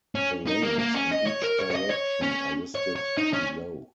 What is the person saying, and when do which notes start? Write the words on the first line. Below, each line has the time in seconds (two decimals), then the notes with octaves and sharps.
The lanes in each direction are listed below.
0.15 C#4
0.47 D#4
0.63 A#3
0.79 A#3
0.95 C#4
1.11 D#5
1.26 C#5
1.42 A#4
1.59 C#5
1.70 C#5
1.75 D#5
1.90 C#5
2.22 C#4
2.75 C#5
2.96 C#5
3.17 D#4
3.33 C#4